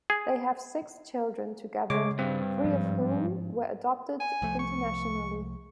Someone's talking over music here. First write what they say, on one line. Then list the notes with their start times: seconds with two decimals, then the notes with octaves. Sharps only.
They have six children together, three of whom were adopted internationally.
0.10 G#4
1.90 C#3 G#3 C#5 D6
2.19 G2 C4
2.64 G#2 F3
4.20 G#5
4.42 C2 F3 A3
4.59 C#6